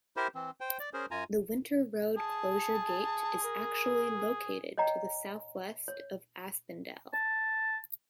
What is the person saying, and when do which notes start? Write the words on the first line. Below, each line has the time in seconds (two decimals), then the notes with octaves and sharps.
The winter road closure gate is actually located to the southwest of Aspendell.
0.17 E4 G4 A#4 C5
0.35 E3 C4
0.60 C5 G5
0.79 D5
0.93 C#4 G#4 A#4 C5
1.11 F#2 F4 G#5 A#5
2.17 G#4 A5
3.43 A#4
4.78 C#5 D#5 G5 A#5
5.88 C#5
7.13 A5